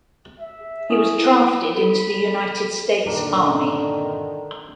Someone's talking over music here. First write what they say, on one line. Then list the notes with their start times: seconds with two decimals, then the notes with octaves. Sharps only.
He was drafted into the United States Army.
0.39 E5
0.90 C#4 E4 D#6
1.19 B3 E4
1.75 A4 B5
3.06 G2 A#2 D3 D#3 D4 A#4